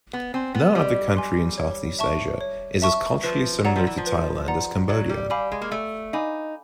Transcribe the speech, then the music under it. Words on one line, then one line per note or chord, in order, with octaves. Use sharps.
No other country in Southeast Asia is as culturally similar to Thailand as Cambodia.
B3
C4 G#5 C6
B3
G3 D#5
G#5 C6
C#5
E5 A5 C#6
C#5
E5 A5 C#6
F3 B4
F#3 D5 F#5 A#5
F3
E3
F3
B4
D5 F#5 A#5
F#3 D5
G3
G3 F5 G#5 B5 D6
G#3
A#3
A3 D5
D#4 F5 G#5 B5 D6